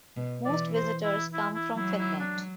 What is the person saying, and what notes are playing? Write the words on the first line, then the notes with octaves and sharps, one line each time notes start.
Most visitors come from Finland.
B2
E3 D5
C5
E4
E4
E4
F#3 E4
E4
D4